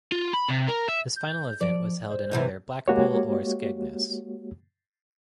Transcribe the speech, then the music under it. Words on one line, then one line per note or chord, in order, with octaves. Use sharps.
This final event was held in either Blackpool or Skegness.
F4
B5
C3
A#4
E5
G6
F3 D5
C5
F#2 C3 E3
G#3 A#3 F#4 G4 C#5